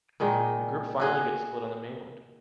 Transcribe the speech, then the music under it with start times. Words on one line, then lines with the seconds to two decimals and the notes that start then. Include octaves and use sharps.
The group finally gets split on the mainland.
0.20 A#2 D#3 G#3
1.00 F#4 G#4 D#5